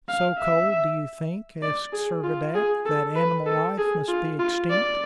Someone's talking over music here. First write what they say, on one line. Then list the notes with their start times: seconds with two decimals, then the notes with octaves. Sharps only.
"So cold, do you think," asked Servadac, "that animal life must be extinct?"
0.08 F5
0.39 E5
1.62 D5
1.93 G#4
2.24 F4
2.55 G#4
2.86 A4
3.16 B4
3.47 A4
3.78 G#4
4.08 F4
4.39 F4
4.71 D5